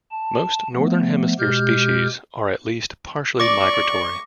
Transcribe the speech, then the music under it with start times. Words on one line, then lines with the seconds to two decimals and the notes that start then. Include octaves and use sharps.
Most Northern Hemisphere species are at least partially migratory.
0.11 A5
0.74 F3 A3 B3
1.39 B2 G#3 G4 F6 G6
3.40 D5 C#6 D6 A#6